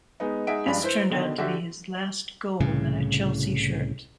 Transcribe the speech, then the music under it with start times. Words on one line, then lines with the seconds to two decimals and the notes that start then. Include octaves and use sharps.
This turned out to be his last goal in a Chelsea shirt.
0.20 G#3 B3 D#4
0.47 G#3 D#4 G#4 E5 F#5 D7
0.66 G2 F3 G#3 D4 B5
0.82 E4 B4 C5
1.10 B2 D3 D#3
1.38 D3 F#4 G4 E5
2.60 C2 A2 C#3